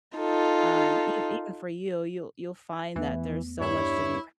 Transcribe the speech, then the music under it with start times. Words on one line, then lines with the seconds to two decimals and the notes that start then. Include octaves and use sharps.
um, ev even for you, you'll you'll find that there's so much to be
0.17 D#4 F4 A4
2.96 E2 E3 A3 B3
3.61 G2 E4 C#5